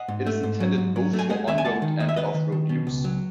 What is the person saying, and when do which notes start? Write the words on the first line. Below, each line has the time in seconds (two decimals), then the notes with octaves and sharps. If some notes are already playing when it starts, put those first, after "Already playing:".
It is intended both for on-road and off-road use.
Already playing: D#5 F#5
0.08 G#2
0.27 A3
0.43 G#2
0.60 F#3
0.78 G#2
0.96 F#3
1.13 A3
1.19 G#5
1.30 G#3 D#5 F#5
1.47 D#2 E5 G#5
1.58 G#5
1.65 G#3 F#5 A5
1.82 D#3
2.00 D#2 D#5
2.09 E5
2.16 D#3 B4 D#5
2.34 D#3
2.52 D#3
2.69 B2
2.87 C#2
3.05 F#3